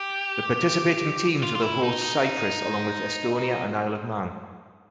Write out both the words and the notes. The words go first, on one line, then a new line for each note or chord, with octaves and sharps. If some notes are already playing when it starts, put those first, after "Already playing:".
The participating teams were the hosts Cyprus along with Estonia and Isle of Man.
Already playing: G4
F4
F4
E4
D#4
D#4